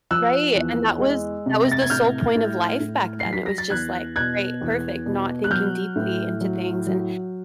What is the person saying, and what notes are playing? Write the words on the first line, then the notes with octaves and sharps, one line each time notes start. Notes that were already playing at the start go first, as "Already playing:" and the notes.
Right, and that was that was the sole point of life back then, it was just, like, "Great, perfect," not thinking deeply into things. And
F3 E6 F#6
E2
G#3
C3
A#6
A6
G#6
A2 F6 G6
A2
A2
C7
F#3
B6
A#6
A6
E2 F#6 G#6
B2 F#6 G#6
E2
B2
F#6
F#3 F6 G6
A2
F#3
F#3